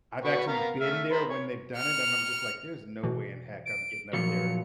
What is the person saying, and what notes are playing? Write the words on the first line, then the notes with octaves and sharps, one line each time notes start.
I've actually been there when they've done it, and I'm just like, "There's no way in heck I'm getting up there."
F#4 B4 C#6
B3 A#4 F5
A3 E5 F6
A#4 C5 B5
C#5
F6 C#7
B2 E3
D7
A#2 F3 F#3 C#7